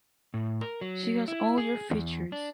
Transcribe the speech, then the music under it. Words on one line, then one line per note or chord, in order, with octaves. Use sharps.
She has all your features.
A2
A#4
F#3
E4
G#4
E2
D4